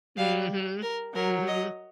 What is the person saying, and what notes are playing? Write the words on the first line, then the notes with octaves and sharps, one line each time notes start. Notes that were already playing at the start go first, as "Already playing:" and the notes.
Mhm. Mhm.
G3 F5
A#4
F#3 A#4
D#5